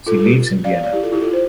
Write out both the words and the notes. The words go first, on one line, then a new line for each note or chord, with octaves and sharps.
She lives in Vienna.
F4 A4
A4
G4 B4
D5 F5
D5 F5
E4 G4
F4 A4
E4 G4
F4 A4
C5